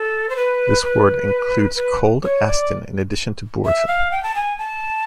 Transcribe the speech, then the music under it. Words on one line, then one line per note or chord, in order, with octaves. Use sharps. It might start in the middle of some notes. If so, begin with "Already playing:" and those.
This ward includes Cold Aston in addition to Bourton.
Already playing: A4
C5
B4
B4
B4
C#5
D5
E5
F5
G5
A5
G#5
A5